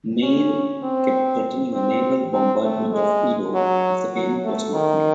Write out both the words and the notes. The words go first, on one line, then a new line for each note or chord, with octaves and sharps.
Neale kept threatening a naval bombardment of Edo if the payment was not made.
C#4
C4
C4
C4
A3
G#3
F#3
F#3
A3
D#3